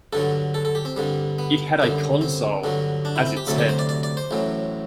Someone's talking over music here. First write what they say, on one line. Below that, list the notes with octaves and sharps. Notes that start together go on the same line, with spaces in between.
It had a consul as its head.
G2 D3 F#3 A4
A4
A4
G4
C4
G2 D3 G3
B3
F#2 D3 G3
C4
G2 D3 F#3
D4
E4
C4
G4
D2 C3 F#3 A4
G4
C5
D5
D5
D5
C5
A1 A2 F#3